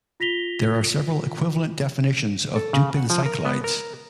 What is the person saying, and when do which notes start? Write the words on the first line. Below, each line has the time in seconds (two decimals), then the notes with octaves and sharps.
There are several equivalent definitions of Dupin cyclides.
0.20 F4 A#6 B6 F7 G7
2.56 A4
2.73 C#3
2.97 F#5
3.10 F3
3.26 A#4
3.45 B3
3.64 A#4